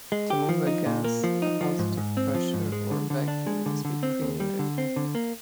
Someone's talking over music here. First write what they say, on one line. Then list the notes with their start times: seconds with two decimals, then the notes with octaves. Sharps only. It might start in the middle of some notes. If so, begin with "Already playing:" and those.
To move a gas, a positive pressure or a vacuum must be created.
0.12 G#3
0.30 G4
0.49 F3
0.67 D#4
0.86 A#2
1.04 A#3
1.24 F3
1.42 D#4
1.61 F3
1.79 G#2
1.97 G#2
2.17 C4
2.35 F3
2.54 G#2
2.72 G#3
2.91 D3
3.10 D3
3.28 D4
3.47 G#3
3.66 D3
3.85 D3
4.03 C4
4.22 D#2
4.40 G3
4.59 D3
4.78 C4
4.96 D3
5.15 A#3